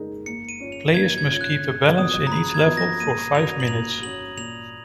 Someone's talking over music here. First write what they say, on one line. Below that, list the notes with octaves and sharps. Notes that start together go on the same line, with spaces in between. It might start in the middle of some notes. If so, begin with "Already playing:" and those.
Players must keep a balance in each level for five minutes.
Already playing: C#3 G#3 D#4 A#4
A#3 C#7
D#7
C#4 F4
F7
A#3 G#6
G#6
C#4 F4
F#6
C#3
F3 B3 F#4 D#6
A#5
C#3 B5
G#6
F3 B3 F#4
A#6
A#3 D#7
C#4 F#4 F7
F#7
A#3 F7
C#4 F#4 F#7
A#2 F7